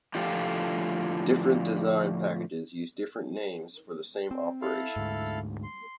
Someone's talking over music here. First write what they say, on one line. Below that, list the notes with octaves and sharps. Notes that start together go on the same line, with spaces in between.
Different design packages use different names for the same operations.
A2 D3 F3 F4 G4 A4
C4
E4 A4 F5
D2 G#2
C6